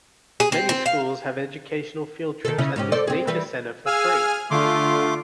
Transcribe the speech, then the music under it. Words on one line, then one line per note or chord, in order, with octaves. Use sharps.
Many schools have educational field trips at this nature center for free.
G#4
C4
C4
F5
D#3 A4
C#3 C#4 E4
G#2 C#4 G4
A4 C5 D5
C4 G#4
E3 G3 B4
G#4 F5 G#5 E6 F6
D3 A3 F4 C6 D6